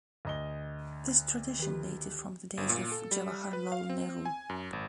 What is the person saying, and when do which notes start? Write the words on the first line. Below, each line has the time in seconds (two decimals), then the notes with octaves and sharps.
This tradition dated from the days of Jawaharlal Nehru.
0.25 D2 D#5 G7
1.59 D#3 G4
2.57 G1
2.69 A#2
2.92 A4
3.11 G3
3.53 B4
3.72 F5
3.90 C4
4.25 G#5
4.50 F#2
4.73 G#1